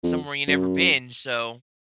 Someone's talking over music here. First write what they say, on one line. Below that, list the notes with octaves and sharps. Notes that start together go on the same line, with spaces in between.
somewhere you never been, so
F2
F#2